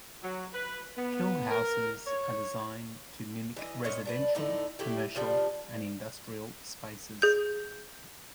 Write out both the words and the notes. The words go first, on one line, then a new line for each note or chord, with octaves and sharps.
Kill houses are designed to mimic residential, commercial and industrial spaces.
F#3
B4
B3
A#4
C#5
E3 D#5
A#2 C#4 D#5
D4 G4 B4
A2 D3 D#4 E4
A3 E4 G4
C#3 F3 G3 D4
G#4 G6